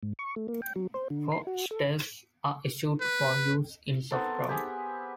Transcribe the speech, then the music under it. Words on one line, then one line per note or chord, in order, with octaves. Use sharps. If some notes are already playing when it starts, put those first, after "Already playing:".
Four stakes are issued for use in soft ground.
G#2
C#6
A3
A#3
G5
F#3
C5
D3
C6
F#4
A4
B4
B3 C4 A4 A#4
G4 G#4 E5